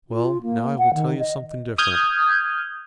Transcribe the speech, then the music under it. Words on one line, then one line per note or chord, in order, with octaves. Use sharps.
Well, now I will tell you something different.
F4
A#3
F#5
D#3
D#5
D#6 F6 G6 G#6